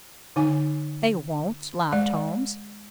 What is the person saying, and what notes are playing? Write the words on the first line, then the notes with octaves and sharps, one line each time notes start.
"They won't," laughed Holmes.
D3 D#4 G#5
G#3 D5